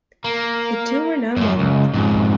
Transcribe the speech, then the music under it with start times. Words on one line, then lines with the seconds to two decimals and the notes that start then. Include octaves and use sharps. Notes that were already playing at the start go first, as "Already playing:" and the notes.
The two are now married.
0.25 A#3
1.37 F#2 F3
1.59 C#2
1.94 F2 G#2